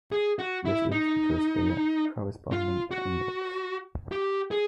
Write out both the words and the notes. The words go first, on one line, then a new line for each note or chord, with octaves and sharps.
This is because they are corresponding angles.
G#4
F#4
E4
D#4
F4
F#4
G4
G#4